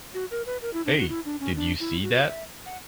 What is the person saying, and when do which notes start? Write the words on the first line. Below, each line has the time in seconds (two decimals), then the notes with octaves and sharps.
Hey! Did you see that?
0.14 F#4
0.31 A#4
0.46 B4
0.62 A#4
0.74 E4
0.86 D4
0.98 F#4
1.09 E4
1.25 D4
1.40 C#4
1.56 D4
1.80 E4
2.03 F#4
2.27 E5
2.66 F#5